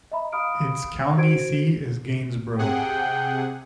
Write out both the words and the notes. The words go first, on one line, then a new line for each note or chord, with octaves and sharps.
Its county seat is Gainesboro.
D#5 E5 A#5 B5
F5 B5 D#6 F6 D7
F#4 C5 G#6 D7
C3 G#4 F#5 G5